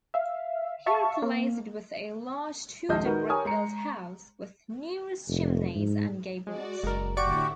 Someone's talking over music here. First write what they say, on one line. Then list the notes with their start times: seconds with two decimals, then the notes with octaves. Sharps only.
He replaced it with a large Tudor brick-built house, with numerous chimneys and gables.
0.14 E5 F5
0.86 E5 F5 A5 C#6
1.22 A#3
2.89 D#1 A#1 G#3 D#5 A5 G6
3.04 D#3 D#4 F#4 A#4 B4
3.29 G4 A#4 C#5 G#5 D#6
3.45 G#3 A#5 C#7
5.27 F1
5.75 G#2
6.47 G#3 F#4 D5
6.83 F#1 G#3 A#4
7.17 A2 D3 E4 F#4 G4 D5 C#6 D7